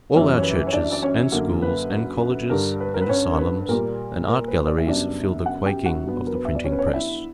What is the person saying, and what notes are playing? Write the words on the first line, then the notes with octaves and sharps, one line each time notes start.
All our churches, and schools, and colleges, and asylums, and art-galleries feel the quaking of the printing-press.
F#2 E3 G3 C#4 C#5
C#5
B4
C#5
D4 D5
D5
C#4 C#5
F#2 D3 A#3
B4
G2 D3 G3 A#4
B4
A#4
B4
C#4 C#5
A#4
B4
B4
A#2 G3 A#3 A#4
A#4
B4
D5
E5
F#2 C#3 G3 B3 D4 D5
F#4 F#5
G4 G5
F#4 F#5
G2 F#3 B3
A#4
B4
E5
D5
C#4 C#5
B4
C#5
D5
E4 E5